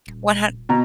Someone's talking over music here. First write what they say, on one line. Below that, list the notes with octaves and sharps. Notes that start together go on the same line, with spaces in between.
One hun
D#1
B2 A#5